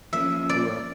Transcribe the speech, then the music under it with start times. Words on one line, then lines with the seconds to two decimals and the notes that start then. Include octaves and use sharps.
grew up
0.13 F3 A#3 C#4 E5
0.49 D5